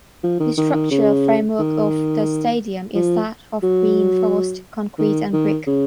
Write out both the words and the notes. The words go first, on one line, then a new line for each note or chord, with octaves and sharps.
The structural framework of the stadium is that of reinforced concrete and brick.
F3
D#3
D#3
D#3
C#3
D#3
F3
F#3
D#3
D#3
C#3